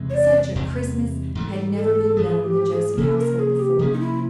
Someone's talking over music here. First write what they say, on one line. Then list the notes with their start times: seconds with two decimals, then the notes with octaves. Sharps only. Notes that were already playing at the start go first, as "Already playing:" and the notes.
Such a Christmas had never been known in the Joseph household before.
Already playing: E2 C3 E3 G#3
0.10 C#5
0.14 D5
0.55 E2 C3 E3 G#3
1.35 G#2 E3 A3
1.76 A4
2.17 G#2 E3 A3 G#4
2.44 G4
2.71 G#4
2.98 C3 F3 A#3 C#4 A4
3.18 A#4
3.39 G#4
3.59 G4
3.79 C3 F3 A#3 C#4 G#4
3.92 D#4
4.00 E4